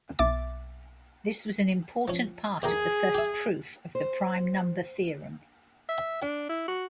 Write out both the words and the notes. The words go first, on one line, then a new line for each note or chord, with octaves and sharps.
This was an important part of the first proof of the prime number theorem.
B1 E5 D6 A6
F3 C#4
E2 G4 G#4 A#4
G4 E5
C5
E5
D4
E4
F#4